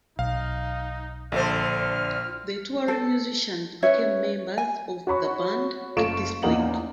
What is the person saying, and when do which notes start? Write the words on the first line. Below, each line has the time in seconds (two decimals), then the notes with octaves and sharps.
The touring musicians became members of the band at this point.
0.19 B1 D#4 F5
1.32 A#1 D3 A4 C5 F6
2.88 A4
3.82 C#4 B4 C#5 E5
4.58 G#5
5.07 F#4 C#5 B5 C#6
5.96 F#1 A3 F4 C#6 D7 E7
6.43 A1 E2 A#3 D#4 F#5 F#7